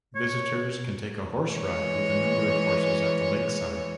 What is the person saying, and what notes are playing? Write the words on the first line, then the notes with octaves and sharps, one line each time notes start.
Visitors can take a horse ride with a number of horses at the lakeside.
C#5
E3 G#3 C#5